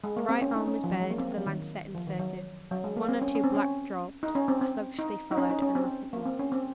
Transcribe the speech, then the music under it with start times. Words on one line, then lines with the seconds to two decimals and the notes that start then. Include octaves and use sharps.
The right arm was bared; the lancet inserted, one or two black drops sluggishly followed and nothing more.
0.04 G#3
0.17 A#3
0.29 C4
0.42 C#4
0.55 D#4
0.67 C#4
0.84 F3
0.92 F#3
1.01 G#3
1.10 A#3
1.18 C4
1.27 A#3
1.38 F#3
1.46 D#3
1.95 F3
2.07 D#3
2.19 F#3
2.71 F#3
2.84 G#3
2.96 A#3
3.09 C4
3.22 C#4
3.35 C#4
3.44 C4
3.55 C#4
4.23 D#4
4.35 C#4
4.48 C4
4.61 C4
4.99 D#4
5.31 D#4
5.37 C#4
5.50 D#4
5.62 C#4
5.75 C4
6.13 A#3
6.26 C4
6.39 C#4
6.52 C4